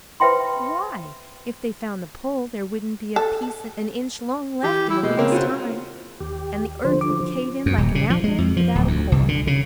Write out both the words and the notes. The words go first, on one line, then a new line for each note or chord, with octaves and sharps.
Why, if they found the Pole, there wouldn't be a piece an inch long left in a week's time, and the earth would cave in like an apple without a core!
B4 C5 E5 G5 B5 C6
A4
E3 G4
E4
B2 G#3
C#3 A#3 C4
F4 F#4 C5
D#2 G4
D3 F3 C5
D6
F#2
D#1
C#3
F3
G#3
F2
F3
D1
D2
C2
D3
C#3